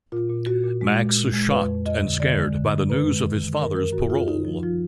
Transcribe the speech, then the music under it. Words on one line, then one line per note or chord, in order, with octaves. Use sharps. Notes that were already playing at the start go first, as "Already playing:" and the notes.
Max is shocked and scared by the news of his father's parole.
A#2 F4
A#2
A#2 F#4
A#2
G#3
A#2
A#2
G#3
F2 B4
F2
F2 D#5
D3
D3 D5
G#3
D3
D3
F#2 B4
G#3
D#3
D#3
D#3 A#4
F#2 A#4
F#2 F#4
F#2 F4
F#2 D#4
F3
F3 F4